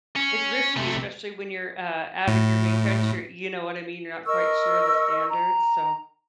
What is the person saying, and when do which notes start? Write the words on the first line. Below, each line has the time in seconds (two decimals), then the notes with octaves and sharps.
it's risky, especially when you're, uh, out of your main country, you know what I mean? You're not quite sure of the standards, so,
0.16 C#4
0.77 C3 A3
2.28 A2
4.27 A#4 D#5 C#6 E6
5.30 A#5